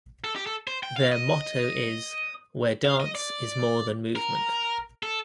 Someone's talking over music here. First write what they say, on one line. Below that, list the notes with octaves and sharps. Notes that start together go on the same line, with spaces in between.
Their motto is "Where Dance Is More Than Movement".
A4
G4
A4
C5
G5
F5
D#5
F5
D#5
D5
A#4
A4